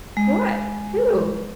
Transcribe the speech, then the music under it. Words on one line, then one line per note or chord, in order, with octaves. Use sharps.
"What? who?"
G#3